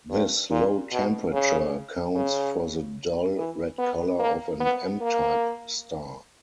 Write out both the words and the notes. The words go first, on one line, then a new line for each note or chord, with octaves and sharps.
This low temperature accounts for the dull red color of an M-type star.
G2
A#2
B2
C#3
C#3
E3
B3
A#3
B3
A#3